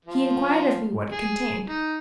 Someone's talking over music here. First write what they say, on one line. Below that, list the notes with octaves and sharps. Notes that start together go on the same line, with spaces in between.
He inquired of me what it contained.
F3
G#4
D#4